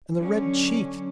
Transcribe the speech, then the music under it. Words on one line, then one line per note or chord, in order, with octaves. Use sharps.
And the red cheeks!
D3 F#3 C#4